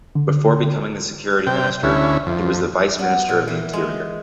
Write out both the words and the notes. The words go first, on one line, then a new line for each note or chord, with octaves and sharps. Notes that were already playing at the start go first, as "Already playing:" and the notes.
Before becoming the security minister, he was the vice minister of the interior.
D3
C3 G5
D2 C#4 E4
F2
B3
A#2
E3
G#3